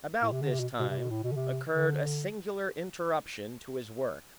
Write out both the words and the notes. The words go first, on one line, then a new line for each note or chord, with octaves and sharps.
About this time occurred a singular interruption to his work.
A2
C3
D3
C3
B2
B2
C3
B2
A2
B2
D3
C3
D3